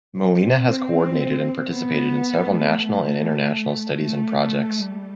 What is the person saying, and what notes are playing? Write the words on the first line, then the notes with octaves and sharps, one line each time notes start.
Molina has coordinated and participated in several national and international studies and projects.
C4
B3
A3
A3
G3